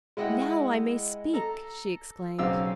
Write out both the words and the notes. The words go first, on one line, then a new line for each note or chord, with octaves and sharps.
"Now I may speak!" she exclaimed.
G#3 E4 D#5 F#5 G5
A4 A#5
B1 C#3 C4 F5 E6